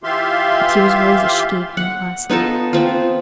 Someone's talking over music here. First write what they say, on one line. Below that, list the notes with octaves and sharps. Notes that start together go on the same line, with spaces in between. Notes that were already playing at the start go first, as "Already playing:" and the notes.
The tears rose as she gave him the last look.
E3 F4 G4 E5 F5 C6
F#5
B3 D#4 F4 A4
B3 C4 F4